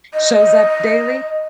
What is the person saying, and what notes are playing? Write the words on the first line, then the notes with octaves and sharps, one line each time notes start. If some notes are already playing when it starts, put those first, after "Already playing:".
shows up daily?
D#5